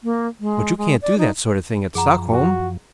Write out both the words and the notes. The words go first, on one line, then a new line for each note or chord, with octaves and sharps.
"But you can't do that sort of thing at Stockholm!"
A#3
G#3
G#3
D5
D#4
F#2 F3 G#4 F#5 A#5
F#4